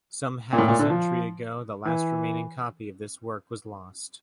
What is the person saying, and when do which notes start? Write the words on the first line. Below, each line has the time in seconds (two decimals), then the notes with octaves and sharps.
Some half a century ago the last remaining copy of this work was lost.
0.53 A#2
0.58 A2
0.68 A#2
0.79 D3
0.90 F3
1.85 E3